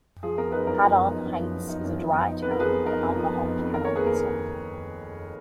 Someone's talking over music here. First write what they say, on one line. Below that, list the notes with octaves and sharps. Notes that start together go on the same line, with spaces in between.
Haddon Heights is a dry town where alcohol cannot be sold.
F3 G#4
B3 A#4
D#4 G#4 B4
F#2 A#4
F3
B3
D#4
F#2
F3
B3
D#4
F#2
F3
B3
D#4
F2 B4
A#4
F3 G#4 B4
B3
D#4 A#4
F2
F3
B3
D#4
F2
D#3 A#4
A#3 A#4 C#5
G#4 B4
D#2 A#4
D#2